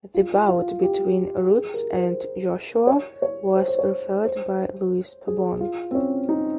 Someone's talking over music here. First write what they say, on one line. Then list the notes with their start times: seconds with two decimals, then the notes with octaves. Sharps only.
The bout between Ruiz and Joshua was refereed by Luis Pabon.
0.14 F4
0.48 F4
0.83 G4
1.51 G#4
1.74 A#4
1.96 C5
2.87 C#5
3.22 C#5
3.56 C5
3.68 C5
3.79 C#5
4.25 C5
5.27 G#4
5.61 F4
5.91 C4
5.95 C#4
6.29 D#4